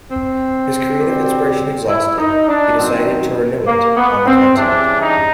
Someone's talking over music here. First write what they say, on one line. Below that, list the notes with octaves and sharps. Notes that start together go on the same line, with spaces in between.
His creative inspiration exhausted, he decided to renew it on the continent.
C4
B2 G3
E4
D#4
D4
F#2 D#3 F#3 C4
A#3
B3
C4
C#3 E3 G3 D4
D#4